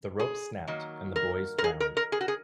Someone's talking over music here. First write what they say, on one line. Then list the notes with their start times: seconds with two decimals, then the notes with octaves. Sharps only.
The rope snapped, and the boys drowned.
0.20 G#4
0.68 D#3 F#3 A#3
1.16 A#4
1.58 A#4
1.64 G#4
1.80 A#4
1.97 A#4
2.12 G#4
2.21 F#4
2.28 G#4